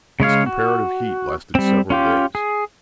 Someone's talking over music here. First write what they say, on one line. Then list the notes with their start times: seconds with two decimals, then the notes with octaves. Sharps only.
This comparative heat lasted several days.
0.20 C#3 G#3 C#5 F5
0.46 F#4
1.55 G3 C4
1.90 C#4 F4 G4
2.35 G#4